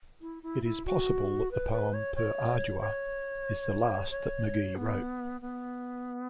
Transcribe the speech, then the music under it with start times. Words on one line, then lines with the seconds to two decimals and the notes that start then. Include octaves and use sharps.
It is possible that the poem, "Per Ardua", is the last that Magee wrote.
0.20 E4
0.42 E4
0.64 E4
0.85 F#4
1.51 B4
1.71 B4
1.93 C#5
2.15 C#5
2.79 C#5
4.10 C#5
4.75 B3
5.40 B3